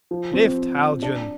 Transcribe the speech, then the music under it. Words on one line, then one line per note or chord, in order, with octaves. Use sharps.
"Lift, Haljan!"
F3
C4
D4